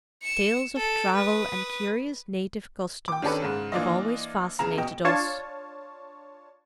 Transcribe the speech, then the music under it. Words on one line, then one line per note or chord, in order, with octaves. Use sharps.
Tales of travel and curious native customs have always fascinated us.
C#7 E7
A4 D7
B4 D#6
G5 D6
D#3 C#4 D4 A4 B4
G#2 C#3
E3 A#3 D4 F4 D#5
E2 C#3 G#4 A#5
B2 D#5 G5
D4 F4 C#5 A5